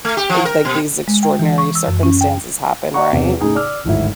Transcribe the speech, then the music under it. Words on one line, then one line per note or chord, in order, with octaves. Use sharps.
eh, g like, these extraordinary circumstances happen, right?
A3
G4
F3
A#4
B2
G#3
G5
E3
C#6
E6
F#2
C#4
G5
D5 D#5 F#5 A#5 C#6
E2 C3
A2 C#3 D#4 G#4
D5 D6 E6 F6
D1 G#1 E4